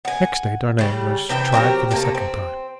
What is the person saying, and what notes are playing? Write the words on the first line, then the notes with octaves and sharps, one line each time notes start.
Next day Darnay was tried for the second time.
F#5 G#5
C#3 G3
C3 E3 E5 G5
F#3 C4 G4 A#4
C3 A3 A#3
C4